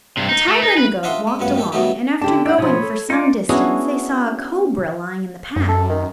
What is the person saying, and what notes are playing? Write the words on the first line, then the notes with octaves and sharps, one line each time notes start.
The tiger and the goat walked along and after going for some distance they saw a cobra lying in the path.
G2 C3
D#4
A3
D#4
B4
D4 F4 D#5 E5 F#5 C6
G#3
D2 G2 C#3 B3 F#5
D#3 G4 A4
B2 D#3 F#3 G3 A3 G4
D3 D4 G4 A5
D4 E5 F#5
B2 F3 C#5 B5 D#6
A4
D#4 F4 D5
B3 C#4 D4 E4 F#4 G#4
F#2
A4
D#3